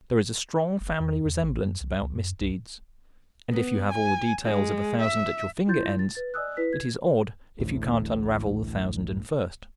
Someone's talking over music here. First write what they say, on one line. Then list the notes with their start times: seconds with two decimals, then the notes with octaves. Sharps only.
There is a strong family resemblance about misdeeds, and if you have all the details of a thousand at your finger ends, it is odd if you can't unravel the thousand and first.
0.80 F#1
1.00 E2
1.25 E2
1.43 A1
1.62 F#2
1.81 C2
2.01 C#2
2.15 F#2
2.40 C2
3.52 B3
3.91 G#5
4.45 G#3
5.02 E5
5.68 E4 F4 C6 G6 A6
5.99 A6
6.15 B4 A6
6.34 D5 D#5 G#5 D#6 E6 F#6
6.57 E4 B4 B6
6.73 G#6
7.60 A1 D2 A2